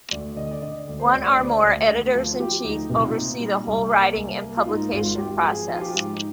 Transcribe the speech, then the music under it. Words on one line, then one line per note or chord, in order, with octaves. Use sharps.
One or more Editors-in-Chief oversee the whole writing and publication process.
D2 D5
D3 D#5
D5
D3 D#5
D2 D5
C5
D2 D5
D5
C5
D3 D5
D2
D2
F3
F4
F3 G4
D2 D#4
C3 D#4
F4
D#4
A#2
G3
C2
A#3
C2
A#3
F4
G#2 D#4
G#1 F4
G#1 G4
F3 G#4
F3
F4
G4
G#2
D#4